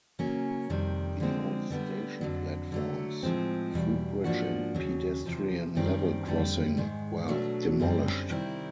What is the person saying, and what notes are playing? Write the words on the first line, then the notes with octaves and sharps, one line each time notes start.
The old station platforms, footbridge and pedestrian level crossing were demolished.
C#3 F#3 A#3 C#4
F2 C3 D#3 G3
D3 F3 G#3 C4
D3 G3 B3
F2 D3 F#3
D3 F#3 A3
A2 F3 G#3 C4
E2 B2 G3
G#2 F3 A#3 D4 F#4
D#2 C#3 F#3
E2 C3 F3
F#2 D#3 G3 C4
F2 D3 G3
G#2 D#3 G#3
B2 F#3 A3 D4
F#2 D3 G3 C4
C3 D#3 G3 C4 E4